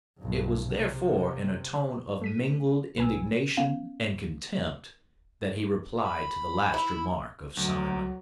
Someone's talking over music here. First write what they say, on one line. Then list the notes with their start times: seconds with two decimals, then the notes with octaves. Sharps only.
It was therefore in a tone of mingled indignation and contempt that he replied to the last remark of Simon.
0.18 B1 G2
0.68 C3
2.22 A3 B6 D#7
2.98 B1 B4 G#5 E6
3.57 B3 C#4 F5
6.04 B5
6.74 E4
7.57 D2 F#3